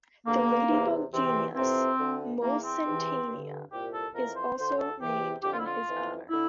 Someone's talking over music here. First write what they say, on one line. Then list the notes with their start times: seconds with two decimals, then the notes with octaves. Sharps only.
The ladybug genus "Mulsantina" is also named in his honor.
0.25 G2 D3 A#3
0.68 E2 C3 E3
1.11 E2 C3 E3 C4
1.55 F2 C3 E3 C4
1.98 D2 D3
2.41 E2 E3 A#3
2.63 C4
2.84 E2 C3 E3
3.28 G2 D3
3.70 C2 A#2 G4
3.91 A4
4.13 F2 E3 A#4
4.35 C5
4.57 D2 D3 C5
4.78 A4
4.99 E2 C3 E3 G4
5.42 F2 D3 G4
5.50 F4
5.57 E4
5.64 F4
5.86 F2 E3
6.29 D3 E4